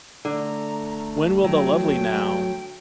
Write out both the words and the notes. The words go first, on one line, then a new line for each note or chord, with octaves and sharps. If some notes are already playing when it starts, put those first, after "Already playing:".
When will the lovely 'now!
D3 A3 A#5
F#3 G5